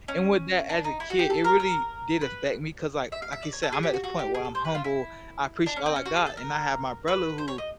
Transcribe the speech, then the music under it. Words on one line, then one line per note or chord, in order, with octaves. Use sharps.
and with that as a kid, it really did affect me 'cause, like like you said, I'm at this point where I'm humble. I appreciate all I got, and I have my brother who
C#4
D4
D#4
E4
F#4
G4
A4
A#4
A#4
B4
E5
F5
E5
D5
C#5
A4
G#4
G4
F#4
F#4
G4
G#4
A4
C5
B4
F4
E4
D4
C#4
C4
C#4
F#4
G#4
A4
A#4
B4
C5
C#5
D#5